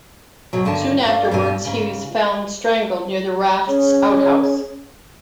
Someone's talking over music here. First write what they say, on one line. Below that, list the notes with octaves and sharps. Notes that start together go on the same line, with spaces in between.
Soon afterwards he is found strangled near the raft's outhouse.
G#2 B2 F#3
G2 D3 D#3 A5
G2 A3 D5 F5
G2 B2 C4 G4 G#5
G#2 C#3
C#4 G#4 C#5